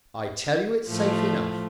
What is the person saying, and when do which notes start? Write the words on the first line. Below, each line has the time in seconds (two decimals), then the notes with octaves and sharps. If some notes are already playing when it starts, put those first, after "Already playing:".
I tell you it's safe enough.
0.87 A2 F3 A3